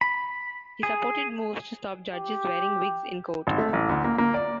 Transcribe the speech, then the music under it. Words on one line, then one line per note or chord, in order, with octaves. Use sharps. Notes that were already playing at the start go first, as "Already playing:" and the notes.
He supported moves to stop Judges wearing wigs in court.
B5
G#4
G4
G#1
A3
A1
D2
A#3
A#3
D5